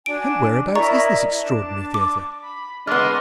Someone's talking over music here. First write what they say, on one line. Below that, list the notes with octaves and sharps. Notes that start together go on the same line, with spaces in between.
And whereabouts is this extraordinary theatre?
D4 F#4 G#5 D7
E4 A#4 D5 D#5 A#5 C#6
D4 A5
D6
B5
G#3 B3 D4 D#5 C6 F6